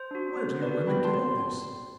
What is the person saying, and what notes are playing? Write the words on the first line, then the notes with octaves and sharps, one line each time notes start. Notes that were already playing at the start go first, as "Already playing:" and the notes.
Where do you women get all this?
Already playing: C5
D4 F#4
B3 C5
D4 F#4 B4 D5
B3 G5 B5
A5 C6